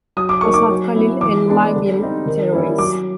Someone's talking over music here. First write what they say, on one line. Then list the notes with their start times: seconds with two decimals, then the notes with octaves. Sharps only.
Asad Khalil, a Libyan terrorist.
0.17 F#3 D#6
0.29 D6
0.41 A#3 D#4 C#6
0.54 D6
0.69 F#3
0.95 B3 E4
1.21 E3 D6
1.48 G#3 B3 D4
1.74 D3
2.00 G3 C4 D#4
2.26 D#3
2.52 G3 A#3 C#4 E4
2.78 F#3 D6